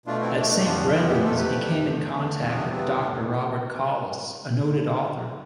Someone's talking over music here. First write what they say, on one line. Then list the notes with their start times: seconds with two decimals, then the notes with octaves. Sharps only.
At Saint Brendan's he came in contact with Doctor Robert Collis, a noted author.
0.06 B2 A3 D4 F4
0.21 C4 E4
0.36 B2 A3 D4
0.51 D4
0.59 G4
0.64 F2 E3 G3 B3 D4 F4
0.79 D4
0.94 F2 E3 G3 B3 D4 F4
1.09 E4 G4
1.23 F2 C3 F3 A3 F4 A4
1.37 G4 B4
1.53 F2 C3 F3 A3
1.82 E2 D3 A3
2.11 E2 D3 A3 D4
2.40 E2 C3 E3 G3 B3 C4
2.55 D4
2.69 E2 C3 E3 G3 B3 C4
2.98 A2 D4